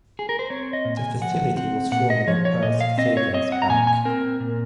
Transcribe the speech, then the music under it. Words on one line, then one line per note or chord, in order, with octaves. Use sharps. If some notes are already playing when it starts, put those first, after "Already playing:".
The facility was formerly Perth Savings Bank.
G#4
A#4
C5
C4 C#5
D#5
A#2
G#5
F3 F#5
C4 F#5
A#2 F#5
D#5
F3 C#5
C#5
A#2 D#5
F5
C4 D#5
C#5
C4 D#5
F#5
A#5
A#2 G#5
G#5
C4 A#4
A#2